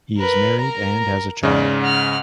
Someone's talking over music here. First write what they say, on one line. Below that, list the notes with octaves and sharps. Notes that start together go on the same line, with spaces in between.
He is married and has a child.
A#4 B4
A#4 A#5
G#2 C#3 D5
F#5 F6